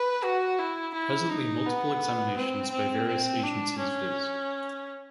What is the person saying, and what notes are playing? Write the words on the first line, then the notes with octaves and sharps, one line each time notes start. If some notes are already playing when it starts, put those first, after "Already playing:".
Presently multiple examinations by various agencies viz.
Already playing: B4
F#4
E4
E4
D#4
B3
C4
C4
C4
D4
C#4